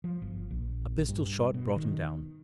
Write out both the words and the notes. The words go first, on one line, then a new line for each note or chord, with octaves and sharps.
A pistol-shot brought him down.
F3
G1
A#1
G2
B2
D#3